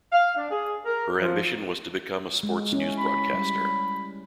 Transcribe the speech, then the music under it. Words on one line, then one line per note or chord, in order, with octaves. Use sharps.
Her ambition was to become a sports newsbroadcaster.
F5
D4
G#4
A#4
F3
G#3
C#4 E4
B5
G3